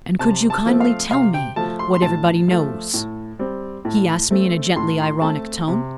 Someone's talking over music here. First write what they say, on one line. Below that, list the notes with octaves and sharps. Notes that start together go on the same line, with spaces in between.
"And could you kindly tell me what everybody knows?" he asked me in a gently ironic tone.
C3 A5
A5
F3 A3 C4
F5
C3 F5
G5
F3 A3 A5
C6
C6
A2 A5
F3 A3
A2
G3 C4
A2
A3 C4
A2 C6
C6
A3 C4 A5
C3